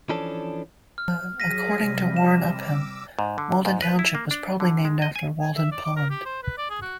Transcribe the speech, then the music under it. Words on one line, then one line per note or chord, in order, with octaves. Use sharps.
According to Warren Upham, Walden Township was probably named after Walden Pond.
E3 F3 C#4 D4 A4
F6
F#3 G#4 A#6 B6 D#7
C3 G3
E7
D6 E6
G#2
D3
G#2
B4
E4
A#3
D4
D3
G#3
D#5
G#5
G#5
E5
D5
D6
A#4
G4
C5
B4
D5
G#4
F#4